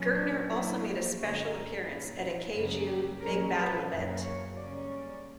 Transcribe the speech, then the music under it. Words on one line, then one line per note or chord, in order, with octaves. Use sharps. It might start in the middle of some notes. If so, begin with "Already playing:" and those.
Gertner also made a special appearance at a Kaiju Big Battel event.
Already playing: A#2 F#3 C#4
D4
A#2 F#3 A#3 E4
G2 D3 A#3 C#4 F#4
A#4
A#2 A#3 C#4 B4
E4
F#2 C#3 G3 A#3 C#4 B4
G4
A#2 F#3 C#4 A#4
B4
F#2 C#3 F#3 A#3
C#5
C#3 G3 A#3 C#4 D5
D5